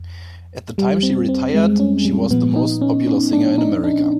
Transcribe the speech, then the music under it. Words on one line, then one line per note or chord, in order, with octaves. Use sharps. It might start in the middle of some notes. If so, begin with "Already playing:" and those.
At the time she retired, she was the most popular singer in America.
Already playing: F2
G3
C4
C4
G#3
C#4
G3
A#2 F3 B3
D#4
C#4
C#4
D4
D#4
D4